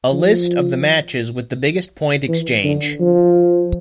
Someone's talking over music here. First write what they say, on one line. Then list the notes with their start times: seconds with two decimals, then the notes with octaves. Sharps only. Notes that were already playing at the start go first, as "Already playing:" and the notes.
A list of the matches with the biggest point exchange.
0.12 F3
2.28 E3
2.64 D3
3.00 F3